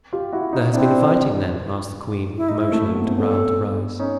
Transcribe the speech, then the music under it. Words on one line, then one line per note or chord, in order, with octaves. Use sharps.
"There has been fighting, then?" asked the queen, motioning to Raoul to rise.
F4 G4
E4 F#4
D#4 F4
C4 D4 E4
E4
D#4
E4
A3
A#3
B3
C4
B3 C#4 A4
C#4 D#4